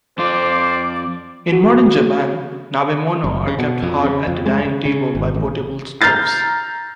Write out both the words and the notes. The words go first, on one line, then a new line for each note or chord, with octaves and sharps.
In modern Japan, nabemono are kept hot at the dining table by portable stoves.
F2 F4 C5 D5 D6
F#4
F#1
C#3
B2
F2
C#3
F2
G#3
C#3
C#3
G#1
A1
A#5 F6 G6 A6 C7